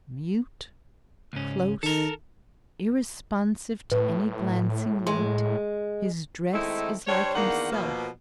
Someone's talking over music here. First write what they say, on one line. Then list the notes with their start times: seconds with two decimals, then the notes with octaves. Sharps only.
Mute, close, irresponsive to any glancing light, his dress is like himself.
1.33 C#2 G#2 C#4
1.83 D#3 A4 A#4
3.92 A2 B4
5.07 G#3 C6
6.53 D#3 G#3 A3 C4 D#4 E4
7.07 G3 D4 C5 C#5
7.34 E2 D#3 A#3 D4 F#5
7.72 B2 F3 A#3